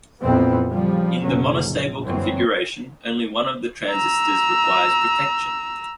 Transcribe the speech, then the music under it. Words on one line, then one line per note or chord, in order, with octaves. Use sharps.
In the monostable configuration, only one of the transistors requires protection.
A#1 F2 A#2 E3 B3 C4
C#3 F3 G3
F#1 B1 D3 F#3 C#4
A#1
G1 F#2 E3 F#3 C4
A#5 E6